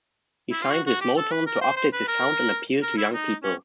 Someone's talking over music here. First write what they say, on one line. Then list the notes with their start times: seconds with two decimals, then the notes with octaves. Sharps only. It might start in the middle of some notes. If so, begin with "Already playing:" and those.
He signed with Motown to update his sound and appeal to young people.
0.52 E4
0.62 F4
0.71 F#4
0.86 F#4
1.01 G4
1.17 A4
1.31 B4
1.46 A#4
1.61 C5
1.77 C5
1.93 B4
2.08 A#4
2.83 A#4
2.97 E4
3.13 D#4
3.44 C#4